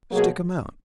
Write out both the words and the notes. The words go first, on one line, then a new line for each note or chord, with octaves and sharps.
Stick 'em out.
B2 F#3 A#3 G#4